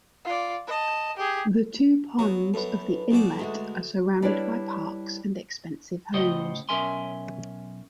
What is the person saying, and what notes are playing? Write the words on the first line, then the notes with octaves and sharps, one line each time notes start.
The two ponds of the inlet are surrounded by parks and expensive homes.
F4 D5
D#5 A5
G4 G#4
F#3 B3 F#4
F#2 A4 B4
B1 B2 D5
D2 G#3 A3 F#4
G3 D4 E4 B4 C#5 D5
A2 C#3 C5 D#5 F#5 G5
B1 C#4 A#4 E5 G#5 C6